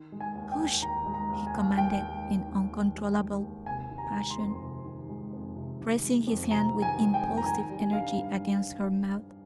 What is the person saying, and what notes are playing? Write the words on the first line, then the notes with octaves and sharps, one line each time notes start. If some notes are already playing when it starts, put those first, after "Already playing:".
"Hush!" he commanded, in uncontrollable passion, pressing his hand with impulsive energy against her mouth.
Already playing: D#3
G#3
G#5
D#2
G5
D#2
D#3 A#5
G#3
A#5
D#2
G#5
D#2
D#3 G5
G#3
D#2
D#2
D#3
G#3
D#2
D#2
C3 G#5
D#3
A#5
G#3
C6
F2
C3
D#3
G#3
F2
C3
D#3
G#3
F2
C3 A#5
D#3
G#5
G#3
G5
F2
A#5
D#3 G#5
G3
G2 F5
G2